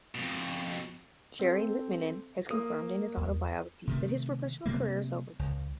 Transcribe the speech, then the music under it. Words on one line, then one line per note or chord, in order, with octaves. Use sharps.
Jari Litmanen has confirmed in his autobiography that his professional career is over.
F2 B2
C4 A4
A#3 D#6
E2
C3 D#3 A3
C3 G3 A#3
C#2